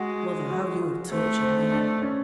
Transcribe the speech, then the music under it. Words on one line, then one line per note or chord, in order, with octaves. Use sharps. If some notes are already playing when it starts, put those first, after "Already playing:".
Mother, how you have tortured me!
Already playing: G#3 F#4
F#4
F4
A3 C4
C4
C4
D4
D4
C#4